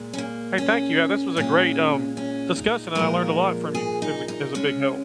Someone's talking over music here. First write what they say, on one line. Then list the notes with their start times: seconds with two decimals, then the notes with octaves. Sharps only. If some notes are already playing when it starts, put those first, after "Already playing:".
Hey, thank you, yeah, this was a great, um, discussion, and I learned a lot from you. It was a g it was a big help.
Already playing: A#2 G#3
0.13 C#4
0.18 A#3
0.58 C#4
1.37 A#2 G#3 C#4
2.17 C#4
2.56 D#4
2.95 A#2 F3 G#3 A#4
3.75 G#4
4.02 D#4
4.28 D#4
4.55 C#3 G#3 C#4